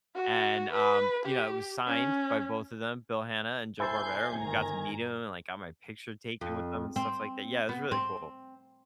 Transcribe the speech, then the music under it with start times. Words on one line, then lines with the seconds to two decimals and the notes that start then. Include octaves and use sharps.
and, um, you know, it was signed by both of them, Bill Hanna and Joe Barbera, and we got to meet 'em, and I got my picture taken with them, and stuff like that. Yeah, it was really cool.
0.15 F#4
0.72 B4
1.25 G4
1.87 C#4
3.80 E4 A4 C5 G#5 G6 C7
4.38 G1 D#3 A#5
6.41 F2
6.96 C4
7.69 B3
7.92 C4